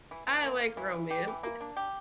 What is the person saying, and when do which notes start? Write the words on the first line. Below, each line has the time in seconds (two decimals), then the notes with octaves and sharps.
I like romance.
0.11 E3
0.27 E3
0.43 A#3
0.60 F4
0.77 E3
0.94 E3
1.11 G4
1.28 E3
1.43 A#3
1.61 D4
1.77 G4